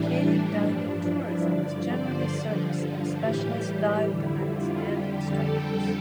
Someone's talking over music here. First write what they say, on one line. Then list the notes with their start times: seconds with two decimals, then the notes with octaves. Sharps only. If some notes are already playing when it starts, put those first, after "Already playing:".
Cave diving tourism is generally serviced by specialist dive guides and instructors.
Already playing: A2 E3 G3 D4
0.61 G2 F3
1.03 E4
1.46 G2 D3 F3 D5
1.89 C5
2.32 G2 D3 F3
3.18 A2 E3 G3 G4
4.04 F2 D3 G3 E4
4.46 F4
4.89 F2 D3 G3 G4
5.32 A4